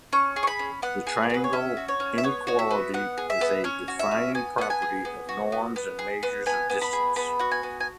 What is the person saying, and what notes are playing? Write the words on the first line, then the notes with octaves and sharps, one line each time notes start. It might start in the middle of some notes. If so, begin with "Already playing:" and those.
The triangle inequality is a "defining property" of norms and measures of distance.
C#4 C#6
G#4
C#6
B5
C#4
B3 F#5
G#4
B3 B4
C#5
C#4 E5
F#4
C#5
C#4
E5
B3 C#5
F#4 C#5
E5
B3
B3 F#5
G#4
E5
B3
C#4 C#5
F#4
E5
C#4
B3 G#5
B3 F#5
G#5
G#4
B3
F#4
B3
B3
G#4
B3
B3 G#5
B3
B5
G#4
B3 B5
F#4 F#5
G#5
B3
G#5